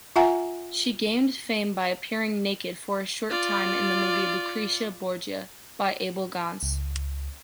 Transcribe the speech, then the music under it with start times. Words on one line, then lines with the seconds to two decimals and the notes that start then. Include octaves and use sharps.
She gained fame by appearing naked for a short time in the movie “Lucrecia Borgia” by Abel Gance.
0.16 F4 E5 F#5 G#5 A#5
3.30 F4 D5
6.63 C#2